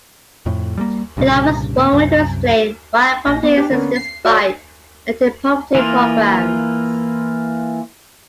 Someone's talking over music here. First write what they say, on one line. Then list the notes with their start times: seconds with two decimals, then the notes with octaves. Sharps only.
It offers one way to explain why poverty exists despite anti-poverty programs.
0.46 F2 A2
0.77 G3 G#3 A#3
1.17 C2 G2 A#2 C#3
1.77 D#2 A#2 G#3 B3
1.92 C2 F#2 C3
3.26 A#1 D#4 A#6
3.43 B3 D5
3.58 D4 G4
3.70 D3 A#3 B3 C#4
3.96 C7
4.25 F#4 A4 C#5 D5 F5 G5
5.75 E3 A#3 F4